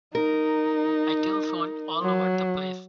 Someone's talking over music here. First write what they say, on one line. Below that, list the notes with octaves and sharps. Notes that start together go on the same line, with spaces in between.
I telephoned all over the place.
D#4 A#4
F#3